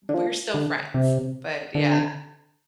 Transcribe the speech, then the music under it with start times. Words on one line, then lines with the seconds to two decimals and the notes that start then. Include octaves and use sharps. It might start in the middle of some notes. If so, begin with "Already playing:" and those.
we're still friends, but yeah.
0.09 D3
0.14 F3
0.54 D3
0.94 C3
1.75 D3